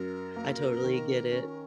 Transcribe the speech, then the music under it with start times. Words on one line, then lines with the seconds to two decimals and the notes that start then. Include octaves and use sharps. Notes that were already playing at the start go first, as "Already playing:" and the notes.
I totally get it.
Already playing: F#2 A#4
0.36 A#3
0.84 D#3
1.31 C#4